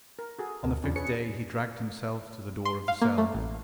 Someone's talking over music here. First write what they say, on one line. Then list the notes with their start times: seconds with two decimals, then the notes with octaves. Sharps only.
On the fifth day he dragged himself to the door of the cell.
0.19 A#4
0.39 F#4 G#4 A4
0.64 D2 A#4
0.84 E2 C#4 D4 F4
0.96 G#4 B4 C#5 C#7
2.65 C6
2.88 F5
3.02 A#3
3.18 A3
3.34 A1